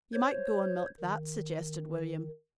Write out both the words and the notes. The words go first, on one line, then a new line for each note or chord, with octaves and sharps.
"You might go an' milk that," suggested William.
C5 C#5
D#3